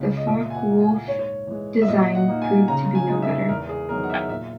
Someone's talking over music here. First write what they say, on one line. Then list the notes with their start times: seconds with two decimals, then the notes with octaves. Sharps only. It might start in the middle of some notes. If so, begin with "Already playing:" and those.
The Focke-Wulf design proved to be no better.
Already playing: C#2 C#3 G#3
0.16 D#5
0.27 A#2 E5
0.50 G#5
0.55 F#5
0.67 A#3 E4
0.80 G#5
1.08 G#2 C#5
1.47 E3 G#3
1.82 E5
1.88 A#2 D#5
2.15 F#5
2.28 A#3 D#4
2.42 G#5
2.68 C#3 A#5
2.95 G#5
3.09 G#3 D#4
3.22 E5
3.49 E2 A#4
3.69 G#4
3.89 D#3 F#3 B3 D#4 A#4
4.03 F#5
4.10 E5
4.29 A#2 E5